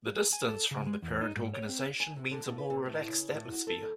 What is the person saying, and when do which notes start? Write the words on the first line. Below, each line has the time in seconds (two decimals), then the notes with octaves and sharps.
The distance from the parent organization means a more relaxed atmosphere.
0.16 G#4
0.33 G#5
0.49 A4
0.71 C#3
0.86 G#3
1.02 E2
1.21 D#4
1.36 G#2
1.54 C#5
1.69 C4
2.00 G#5
2.16 C3
2.31 D3
2.46 A2
2.58 B4
2.70 A#2
2.86 A2
3.08 C#3
3.32 A2
3.52 F#4
3.67 A4
3.83 D#2